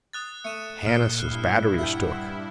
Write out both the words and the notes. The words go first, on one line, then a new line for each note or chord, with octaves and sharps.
"Hannises' batt'ry is took."
D#6 F#6 A6
A3 C#7 D#7 E7
A#2 F6 C7
G2 E4 F#6
E5 F#5 G5